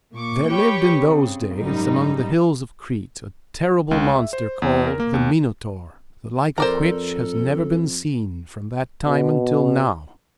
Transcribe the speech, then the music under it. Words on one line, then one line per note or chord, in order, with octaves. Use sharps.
There lived in those days among the hills of Crete a terrible monster called the Minotaur, the like of which has never been seen from that time until now.
A#2 C#6 D6
G4 B4 C#5 G5 C#6
C#3 C4
G#1 F#2 G3 D#4
C#2
E5
C5
E2
A#4
A#3
D#2
F2 A4 A#4 C5 D5 A#5
B2